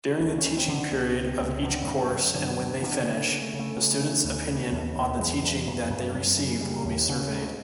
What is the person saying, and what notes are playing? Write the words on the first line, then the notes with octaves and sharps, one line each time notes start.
During the teaching period of each course and when they finish, the students’ opinion on the teaching that they received will be surveyed.
D2 D4
C#4
D2
C4
D3
C#2 B3
C3
C#2
D3 C4
F#2
F#2
D3
D2
D3
C#3 B3
A#3
C#3
A3
C#3
A3
C#3
C#3
D2
C#3
D#2
D#2
E2 G#3
E2
E2
F#2
F#2
C#3
C#3 G3
D#2
C#3
D2 G#3